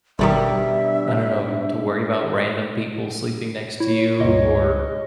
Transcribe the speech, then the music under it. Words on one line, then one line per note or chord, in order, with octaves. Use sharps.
I don't know, w to worry about random people sleeping next to you, or
G1 G2 B2 D#3 G3 D4 G4 E5
E4 C#5
C#2 G2 D#5